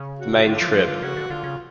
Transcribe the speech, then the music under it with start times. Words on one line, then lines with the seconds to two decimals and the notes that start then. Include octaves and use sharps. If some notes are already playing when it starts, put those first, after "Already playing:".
The main Trib.
Already playing: C#3
0.19 F#4
0.47 D3 F4
0.62 F3
0.68 D3
0.74 F3
0.88 D3
1.02 C#3 F#4
1.17 D3
1.30 D3 F4
1.44 C#3